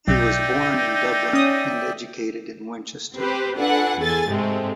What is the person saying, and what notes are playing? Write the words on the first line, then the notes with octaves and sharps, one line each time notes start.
He was born in Dublin and educated at Winchester.
B1 D#4 D5 E5 G5
C#4 D#6
C4 G4 B4 C5
D4 F4 A4 B4 F#5 G#5
E2 G#4 A4 G#5 A6
G#2 C3 G#3 A3 C4